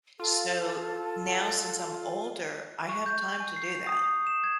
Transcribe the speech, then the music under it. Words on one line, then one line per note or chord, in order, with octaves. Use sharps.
So, now since I'm older, I have time to do that.
F4 A4
C#6
G6
G#5
C7
F7
D#6
D#6
E7
G#6